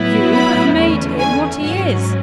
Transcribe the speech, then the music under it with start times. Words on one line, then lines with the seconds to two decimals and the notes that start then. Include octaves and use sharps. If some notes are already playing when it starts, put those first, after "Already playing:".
You have made him what he is!'
Already playing: A2 F#3 B3 E4
0.33 B5
0.77 E2 D3 A3 C#4
1.19 G#5
1.62 G#2 F#3 C#4 F#5